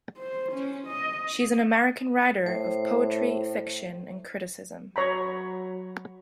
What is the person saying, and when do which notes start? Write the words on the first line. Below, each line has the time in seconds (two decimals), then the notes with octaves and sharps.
She is an American writer of poetry, fiction, and criticism.
0.17 C5
0.52 C#4
0.87 D#5
2.46 A2 C5
4.96 F#3 C#5 A#5 B5